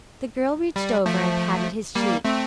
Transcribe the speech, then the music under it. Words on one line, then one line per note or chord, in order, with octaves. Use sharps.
The girl reached over and patted his cheek.
G3
F3 A3
G3 A#3
A3 C4